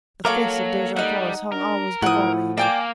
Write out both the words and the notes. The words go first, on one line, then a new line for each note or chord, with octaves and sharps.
The face of Dejah Thoris hung always before me.
F#3 A#3 A4 A#4 C#5 F5 D6
G3 D#4 F#5
D4 A#4
A2 F3 E4 F#5 D#6
A#3 D5 G5 G#5 D6